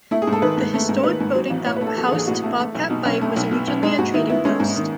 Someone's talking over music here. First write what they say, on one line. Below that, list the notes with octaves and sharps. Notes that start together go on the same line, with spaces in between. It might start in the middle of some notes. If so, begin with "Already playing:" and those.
The historic building that housed Bobcat Bite was originally a trading post.
A3 E4
G#4
G#2
A4
D#3 B4
G#2
A3
G#2
D#3 B4
G#2
F#3
A1
A2 C#5
B4
A3
A4
F#3 A4
G#4
A1
G#4
A2 F#4
A3
A3
B1
B2 D#4
B1 C#4
A3
B1
B2
B1
G#3 D#4
G#2 F#4
D#3 E4
B3 E4
G#3 C#4
G#2
D#3